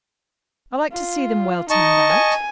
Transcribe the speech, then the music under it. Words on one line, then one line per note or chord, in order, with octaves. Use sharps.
"I like to see them well turned out."
F4
D#4 D#5 A5 C#6
G#5